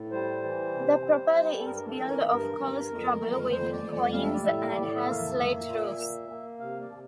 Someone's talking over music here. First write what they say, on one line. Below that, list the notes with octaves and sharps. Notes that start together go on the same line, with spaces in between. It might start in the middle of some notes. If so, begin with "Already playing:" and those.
The property is built of coursed rubble with quoins and has slate roofs.
Already playing: A2
G3 C5
E3
C3
G3
G3
A4
G2 A#4
A#4
A4
E3
A#4
G2 A#4
G2
F2
F2
F2 C5
D5
F2
D5
G3 F5
E5
D5
A2 E5
E5
A2 D5
E5
A#3 F5
E5
A#3
A#2
A#3
A#3
C3 F5
D5
C3